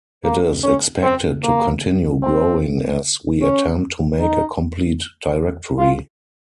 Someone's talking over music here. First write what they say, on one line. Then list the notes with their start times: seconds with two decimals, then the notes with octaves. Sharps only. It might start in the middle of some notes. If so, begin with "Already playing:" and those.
It is expected to continue growing as we attempt to make a complete directory.
0.24 A#3
0.63 C#4
1.03 C4
1.43 A#3
2.22 C4
3.42 C#4
4.20 D#4
5.78 F4